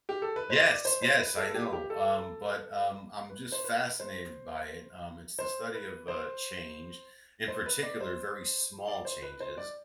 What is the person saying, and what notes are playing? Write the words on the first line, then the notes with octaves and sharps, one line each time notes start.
Yes, yes, I know, um, but, um, I'm just fascinated by it, um, it's the study of, uh, change, in particular, very small changes,
G4
A4
B4
C5
D5
C5
C5
B4
A4
A4
G4
G4
A4
B4
C5
B4
C5
C5
B4
C5
C5
B4
D5
C5
D5
C5
B4
C5
D5